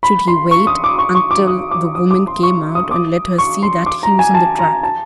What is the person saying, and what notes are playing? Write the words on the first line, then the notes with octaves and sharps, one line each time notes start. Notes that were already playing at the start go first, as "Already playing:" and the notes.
Should he wait until the woman came out and let her see that he was on the track?
B5
C6
C#6
D#6
D6
C#6
C#6
D6
D#6
D6
D#6
D6
C6
C#6
D#6
D6
C#6
C6
D6
A#5
G#5
A5
A#5
A5